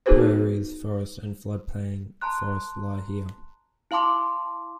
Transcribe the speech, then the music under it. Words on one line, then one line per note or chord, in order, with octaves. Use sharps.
Prairies, forests and floodplain forests lie here.
B3 D#4 F#4 G#4 B4 C5
A5 A#5 C6 F#6
E4 F5 A5 C6 D6